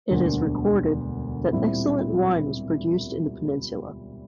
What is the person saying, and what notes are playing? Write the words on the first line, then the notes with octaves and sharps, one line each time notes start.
It is recorded that excellent wine was produced in the peninsula.
E1 D2 D3 G3 A#3
A#2 G3 C4 E4